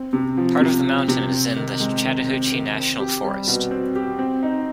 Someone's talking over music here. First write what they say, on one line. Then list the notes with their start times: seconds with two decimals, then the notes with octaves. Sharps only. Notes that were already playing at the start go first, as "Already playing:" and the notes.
Part of the mountain is in the Chattahoochee National Forest.
Already playing: C4
0.13 C3
0.37 F3
0.61 C3
0.84 C4
1.08 C3
1.32 C4
1.56 D#3
1.80 G#3
2.04 D#3
2.28 C4
2.52 D#3
2.76 C4
3.00 G4
3.24 G3
3.48 B2
3.71 C4
3.96 G4
4.19 C4
4.43 D#4